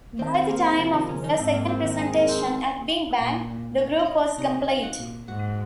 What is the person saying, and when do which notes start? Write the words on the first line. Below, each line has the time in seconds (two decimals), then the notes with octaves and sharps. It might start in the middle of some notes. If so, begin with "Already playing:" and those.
By the time of their second presentation, at Big Bang, the group was complete.
0.19 D#3 C4 C5
0.34 C4 C5
0.49 A#3 A#4
0.64 G#3 G#4
0.79 C3 F3 F4
0.94 D#3 D#4
1.09 C#3 C#4
1.24 D#3 D#4
1.39 G#2 C4
1.54 A#3
1.68 C4
1.84 D#3 D#4
1.99 G#3 G#4
2.14 A#3 A#4
2.29 C4 C5
3.18 A#2
3.78 C#4 C#5
3.98 D#4 D#5
4.18 D#4 D#5
4.38 C3 D#4 D#5
4.53 D#4 D#5
4.68 F4 F5
4.83 F#4 F#5
4.98 A#2
5.28 G#2 F#4 F#5